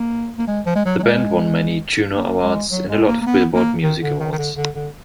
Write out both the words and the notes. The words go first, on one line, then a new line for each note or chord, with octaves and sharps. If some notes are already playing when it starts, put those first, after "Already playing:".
The band won many Juno Awards and a lot of Billboard Music Awards.
Already playing: A#3
A#3
G#3
F3
G#3
F#3
F#3
G#3
A#3
G#3
F#3
G#3
A#3
A#3
B3
A#3
D#3
D3
D#3
D#3
D3
D3
D3